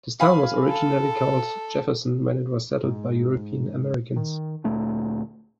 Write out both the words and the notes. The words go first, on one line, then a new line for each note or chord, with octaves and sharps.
This town was originally called Jefferson when it was settled by European Americans.
F5 G#5 B5
A4
G#2
D#3
D2 A#2 A3 D4